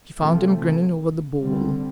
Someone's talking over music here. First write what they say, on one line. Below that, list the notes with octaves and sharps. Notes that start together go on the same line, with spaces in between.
She found him grinning over the bowl.
C3 F3 A3
D3 G3 C4